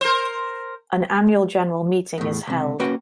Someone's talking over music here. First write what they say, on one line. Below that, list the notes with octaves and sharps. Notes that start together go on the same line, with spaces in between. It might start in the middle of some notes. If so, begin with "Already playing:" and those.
An Annual General Meeting is held.
A#4 C5
E2 A2
C#2 C3
A#3 C#4 F#4 B4 G5